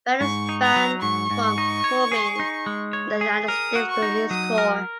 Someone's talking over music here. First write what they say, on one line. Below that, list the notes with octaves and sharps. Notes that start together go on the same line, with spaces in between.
Brown is banned from performing in the United States during his tour.
G#2 C#6
D#4
A#5
F#3
G#2 C#6
G#2
D#4
C#5
G#4
D#4
G#3
C#5
G#4
A#4 D#6
F#4
C#6
D#4
F#3 D#6
A#4